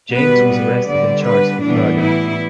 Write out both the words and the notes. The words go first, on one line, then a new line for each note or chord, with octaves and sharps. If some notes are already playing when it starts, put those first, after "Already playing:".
James was arrested and charged with murder.
B2 G3 B3 B4
B4
D3 G3 B3 D5
B4
A2 E3 G3 B3 D4
E4